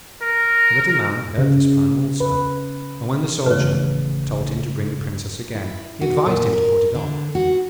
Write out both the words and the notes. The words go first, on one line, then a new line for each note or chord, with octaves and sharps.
The Little Man heard this plan also; and when the Soldier told him to bring the Princess again, he advised him to put it off.
A#4
C#3
B4
G#1 E2 A2 C#3 B4 C#5
E4
F#4
A#2
A#4
D3
F#4